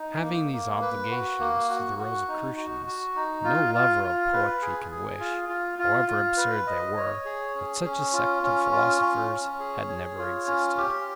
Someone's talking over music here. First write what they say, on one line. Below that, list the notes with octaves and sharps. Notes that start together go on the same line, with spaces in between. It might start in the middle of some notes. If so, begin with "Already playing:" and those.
Having these obligations to the Rosicrucians, no lover of poetry can wish, however absurd they were, that such a sect of philosophers had never existed.
Already playing: D#4
A#3
A#3
B4
F#4
A#3
F#4
F#4
D#4
F#4
F#4
D#4
F4
F4
F4
B4
G#4
G#4
F4
F4
F4
F4
B4
D#5
C#5
G#4
C#4
C#4
F4
C#4
F4
C#4
C#4
G#4
C#5
F4
C#4
G4